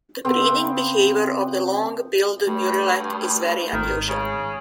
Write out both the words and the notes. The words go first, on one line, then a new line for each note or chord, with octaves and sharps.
The breeding behaviour of the long-billed murrelet is very unusual.
C#3 B3 C4
G2 A3
G#1 D#3
C#3